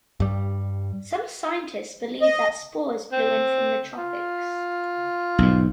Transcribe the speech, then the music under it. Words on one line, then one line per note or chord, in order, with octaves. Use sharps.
Some scientists believe that spores blew in from the tropics.
G2 G3
D#5
C4
F4
B1 G#2